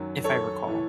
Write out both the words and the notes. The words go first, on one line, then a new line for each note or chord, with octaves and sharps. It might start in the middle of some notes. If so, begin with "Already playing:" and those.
if I recall.
Already playing: F#2 D#3 F#3
A4 C#5
A2 E3 A3 E4